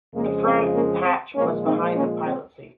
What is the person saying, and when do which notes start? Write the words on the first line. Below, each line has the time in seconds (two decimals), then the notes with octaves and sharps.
The front hatch was behind the pilot's seat.
0.15 F2 C#3 F3 G#3 A#3
0.45 C4
0.75 A#3 C#4
1.05 C4
1.35 A#2 F3 G#3 A#3 C#4
1.66 C4 D#4
1.96 A#3 C#4
2.27 C4